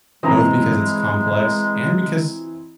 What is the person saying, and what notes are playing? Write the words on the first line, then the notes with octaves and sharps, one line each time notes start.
both because it's complex and because
E3 G#3 C4 E4 D#5 A#5